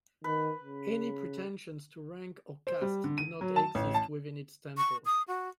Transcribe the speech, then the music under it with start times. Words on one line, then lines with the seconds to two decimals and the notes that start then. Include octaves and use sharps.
Any pretensions to rank or caste do not exist within its temple.
0.24 D#3 B4
0.61 C#3
2.67 C5
2.81 G3
3.04 D3
3.18 D#7
3.41 F#3
3.56 A5
3.75 A1
3.94 A5
4.77 C#6
5.05 D#6
5.28 F#4